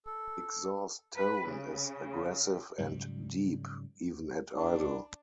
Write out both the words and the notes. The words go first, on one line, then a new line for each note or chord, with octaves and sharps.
Exhaust tone is aggressive and deep, even at idle.
A4
B4
C#3
G#2 C#3 F#3 G3
D4